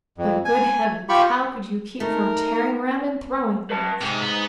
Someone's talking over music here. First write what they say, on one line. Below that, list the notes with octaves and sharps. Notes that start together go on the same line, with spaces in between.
"But, good Heavens, how could you keep from tearing 'round and throwing things?"
F2
G#5
F4 G4 B5 C#6
A3 D#4 A#4
B4 A5
G#2 C3
B3